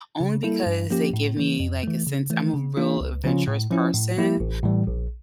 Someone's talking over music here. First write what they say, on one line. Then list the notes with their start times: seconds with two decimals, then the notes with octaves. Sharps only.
only because they give me like a sense I'm a real adventurous person,
0.20 C#3
0.43 G3 A#3 E4 A4
0.66 G2
0.90 F3 A#3 C#4 G4
1.13 A2
1.37 E3 A#3
1.60 F2
1.83 E3 A3
2.07 C#3
2.30 E3 A3
2.54 C#3
2.77 E3 A#3 D4 F4
3.01 C#2
3.24 C#3 F3 C#4 F4
3.47 A2
3.71 F3 C#4 E4
3.94 A2
4.17 F3 A#3 E4 G4
4.40 A1
4.63 A2 E3 G3
4.87 A#1